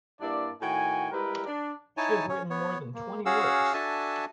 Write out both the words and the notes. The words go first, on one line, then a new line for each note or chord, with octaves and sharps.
She has written more than twenty works.
G2 A#3 D4 E4 D5
A2 D#3 F#4 G5 G#5
G3 G#3 E4 G4 A#4 B4
D4
D#4 E4 C#5 G#5 A5
C#4 C#5
B3 C#5
A#3
C#4 F#4 G#4 F5 F#5 E6
D4 F#4 A4 E5 G#5 A5